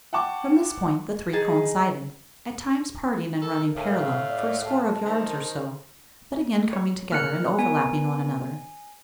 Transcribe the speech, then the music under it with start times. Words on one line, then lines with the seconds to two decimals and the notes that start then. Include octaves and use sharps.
From this point the three coincided--at times parting and running parallel, for a score of yards or so, but again coming together and overlapping one another.
0.13 F#5 G5 A5 C#6 D6
1.33 D#4 G#4 A5
3.42 A4 A#4
3.76 A2 F5
4.28 D5
4.65 A5
5.05 D#3 C5
6.73 C#5
7.12 A#3 F6 F#6 C#7
7.59 B3 A#4 G#5